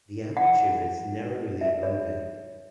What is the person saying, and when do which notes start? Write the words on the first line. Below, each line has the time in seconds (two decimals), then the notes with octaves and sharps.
The aperture is narrowly ovate.
0.37 F#5
1.61 E5
1.83 C#5